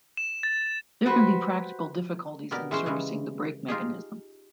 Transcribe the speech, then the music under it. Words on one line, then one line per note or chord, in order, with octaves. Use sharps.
There can be practical difficulties in servicing the brake mechanism.
E7
A6
F#4 G4 B4 C5
B2 B3 G4 A#4 D5
E3 G#3 C#4 C5
C#3 E3 G3 G#3
D#4 F4 G4 G#4